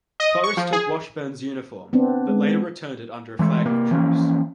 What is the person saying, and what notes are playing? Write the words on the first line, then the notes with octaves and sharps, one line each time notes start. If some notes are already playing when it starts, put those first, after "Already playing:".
Forrest took Washburn's uniform, but later returned it under a flag of truce.
D#5
C#6
F3
G#4
B3 C4 D4
G#3
E3 G#3 A3
C3 A#3
E3 F3 A#3 C#4